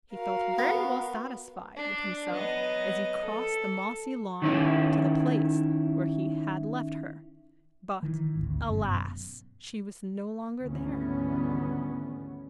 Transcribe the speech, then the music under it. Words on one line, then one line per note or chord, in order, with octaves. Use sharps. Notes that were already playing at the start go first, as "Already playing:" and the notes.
He felt very well satisfied with himself as he crossed the mossy lawn to the place where he had left her; but, alas! she was no longer there.
F#4 A#4 F5
B3
D4
F#3 B3 D#5
A4
D#3 C#4 E4
D#3 E3
G#1 D2
G1 F#2 B2
G#1 D2 E3 G3 B3 C#4